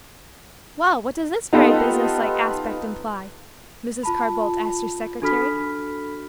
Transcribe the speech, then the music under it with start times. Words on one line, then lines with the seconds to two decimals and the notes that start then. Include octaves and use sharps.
"Well, what does this very businesslike aspect imply?" Mrs. Carr-Boldt asked her secretary.
1.53 B3 D#4 F4 G4 A4 B4
4.03 F4 A5 B5
5.22 D4 F#4 A4 B5 F6 B6